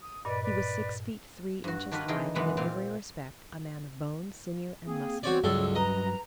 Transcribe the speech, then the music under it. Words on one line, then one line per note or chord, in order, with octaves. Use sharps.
He was six feet three inches high, and in every respect, a man of bone, sinew and muscle.
D#6
G2 A#2 B4 D5 D#5
B4 D5
G2 F#4
D#3 D4 F4 F#4 B4
D3 E3 D#4 G#4 D#5 G5
F#2 B2 E3 G#3 B3
A#2 C4 F5
A#3 C4 G#4
E3 B3 C4 F#4 C#5 D5
C#2 G2 F#3 D4 A4 C#5 E6
B4 D#5 A#5